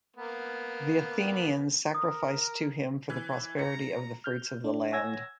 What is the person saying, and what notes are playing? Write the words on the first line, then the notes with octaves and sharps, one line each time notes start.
The Athenians sacrificed to him for the prosperity of the fruits of the land.
A#3 B3
A#4 D#6
E3
A#5 C#7
F6 G6
D4
C#5 F#5 G#5 E6 G#6 A#6